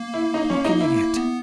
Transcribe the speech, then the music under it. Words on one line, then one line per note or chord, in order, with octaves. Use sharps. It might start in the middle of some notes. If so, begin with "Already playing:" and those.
"What can you get?"
Already playing: A#3
E4
D#4
C#4
D#4
E4
A#3
B3